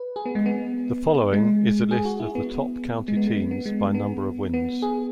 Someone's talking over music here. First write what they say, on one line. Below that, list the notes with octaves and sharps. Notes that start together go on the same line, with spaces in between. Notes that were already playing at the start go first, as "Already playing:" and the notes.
The following is a list of the top county teams by number of wins.
Already playing: B4
G#4
B3
G#3
B3
G#3
G#4
F#4
E4
B3
G#3
B3
G#3
B3
B3
G#3
B3
B3
G#4